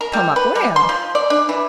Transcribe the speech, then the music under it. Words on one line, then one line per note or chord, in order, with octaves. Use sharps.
"Come up where?"
A#4
G3
B4
G3
C6
F3
D5
D4
E3